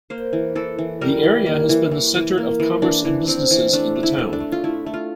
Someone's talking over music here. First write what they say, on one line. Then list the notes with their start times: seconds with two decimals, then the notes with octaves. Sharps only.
The area has been the center of commerce and businesses in the town.
0.10 A#3 C5
0.33 E3
0.56 E3 A4
0.79 E3
1.01 G3 A#4
1.23 E3
1.46 A#3
1.69 E3
1.92 E3
2.15 E3
2.38 A#3
2.60 E3
2.82 E3 D4
3.05 E3
3.27 E3 C4
3.51 E3
3.73 A3 D4
3.96 A3
4.03 E4
4.19 A3
4.33 D4
4.40 A3
4.52 F4
4.64 A3 E4
4.86 A3
4.94 F4